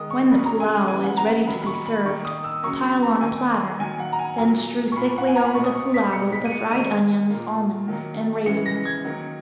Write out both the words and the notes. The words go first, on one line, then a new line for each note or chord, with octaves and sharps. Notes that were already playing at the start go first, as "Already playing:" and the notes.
When the pullao is ready to be served, pile on a platter, then strew thickly over the pullao the fried onions, almonds, and raisins.
Already playing: D#3 G#3 D#6
C#6
C#3 F#3 A#3 B5
A#5
G#5
G#5
C#3 E3 A#3 G#5
F#5
A#5
D#3 F#3 A#3 B5
B5
C#6
B5
D#3 A#3 C#6
D#6
E6
C#3 F#3 A#3 C#6
B5
A#5
D#3 A#3 G#5
D#3 F#3 A#3 G#5
F#5
A#5
G#5
A#2 F#3 A#3 A#5
C#6
A#2 A#3 B5
F#5
G#5
A#5
B5
B2 A#3 C#6
D#6
C#6
B6
B2 G#3 C#7
B6
D#7
C#7
D#3 G#3 D#7
A#2 A#3
D#3 F#3 A#3
C#3 E3 G#3 C#7
A#6
G#6
D#3 F#3 A#3